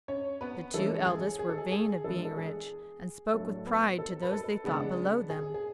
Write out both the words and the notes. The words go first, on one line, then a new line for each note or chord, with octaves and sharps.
The two eldest were vain of being rich, and spoke with pride to those they thought below them.
C#4 C#5
B3 B4
E3 G#3 C#4 A4
G#4
G#4
A4
G#4
G#4
E3 G#3 B3 D4 A4
A4
G#4
A2 F#3 A3 D4 A4
B3 B4
A4
B4
A4
C#3 G#3 B3 D4
G#4
G#4